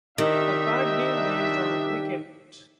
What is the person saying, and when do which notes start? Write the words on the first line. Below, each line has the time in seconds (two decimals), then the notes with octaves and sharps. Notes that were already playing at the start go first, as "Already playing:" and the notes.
A card game based on cricket.
0.18 C2 D#3 D4 D#4 G4 E5